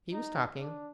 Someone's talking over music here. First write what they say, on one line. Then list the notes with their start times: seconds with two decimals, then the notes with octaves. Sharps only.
"He was talking."
0.13 D#4
0.59 D4